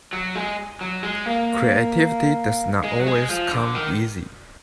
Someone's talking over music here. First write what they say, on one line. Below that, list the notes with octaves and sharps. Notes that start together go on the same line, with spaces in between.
Creativity does not always come easy.
F#3
G#3
F#3
G#3
A#3
G#3
F#3
G#3
F3
D3
D#3